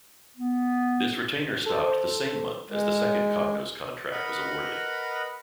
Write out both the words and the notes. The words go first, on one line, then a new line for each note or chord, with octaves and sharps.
This retainer stopped the same month as the second Cognos contract was awarded.
B3
A4 C5
G#3
A#4 B4 D#5 F#5 B5